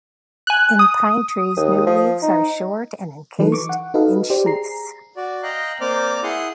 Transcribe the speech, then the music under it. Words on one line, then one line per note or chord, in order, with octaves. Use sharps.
In pine trees new leaves are short and encased in sheaths.
G#5 F#6
D#6
D#2
F3
D#4
E3 F#3 D#4 A4 B4
C#6 D6
F#5
D#4 F#4 A4 B4 D#5 F5
G4 C5 D5
G#4 A#5 C7
F#4 D5
D#5 F5 G5 A#5 F#6
A#3 C4 C5 D5 D6 F6
E4 G#4 F#5 C6 D#6